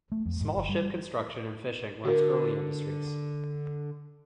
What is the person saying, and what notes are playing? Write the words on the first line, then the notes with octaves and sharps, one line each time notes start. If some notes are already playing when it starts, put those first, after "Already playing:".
Small ship construction and fishing were its early industries.
A3
F2
G#2
G1
G3
D3 F#4 A#4